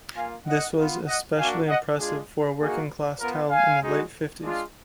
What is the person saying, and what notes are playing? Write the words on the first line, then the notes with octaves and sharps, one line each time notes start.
This was especially impressive for a working class town in the late fifties.
A#3 F4 F5 G#5
D#5 F#5
B3 F4
D#5 F#5
A#3 D4 F#4 F5 G#5
D#5 F#5
G#3 D4 F4 G#4
A#3 D#4 F#4 G#4
B3 F4 A#4
F5 G#5
G#3 D#4 F#4
G#3 D4 F4